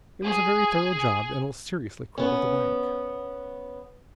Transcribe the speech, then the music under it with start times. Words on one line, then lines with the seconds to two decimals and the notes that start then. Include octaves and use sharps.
"It was a very thorough job, and will seriously cripple the bank."
0.24 G#4
2.18 B3 C#4